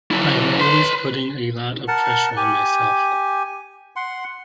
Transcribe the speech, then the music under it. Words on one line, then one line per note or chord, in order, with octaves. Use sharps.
I'm always putting a lot of pressure on myself.
F#3 E4
B4 C6
A#4 F#5 A5
G4 G#5
F#5 C6